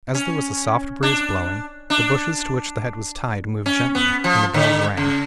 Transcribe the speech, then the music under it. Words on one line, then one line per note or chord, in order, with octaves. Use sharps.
As there was a soft breeze blowing, the bushes to which the head was tied moved gently, and the bells rang.
C#4
D4
D4
C#4
B3
F3
D3
C#3